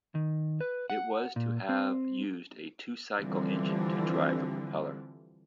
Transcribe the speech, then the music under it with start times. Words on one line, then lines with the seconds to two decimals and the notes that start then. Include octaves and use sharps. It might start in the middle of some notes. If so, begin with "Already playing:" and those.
It was to have used a two-cycle engine to drive a propeller.
0.15 D#3
0.61 B4
0.90 F#5
1.36 A#2
1.69 C4
3.20 D3 E3 F3 G3 C4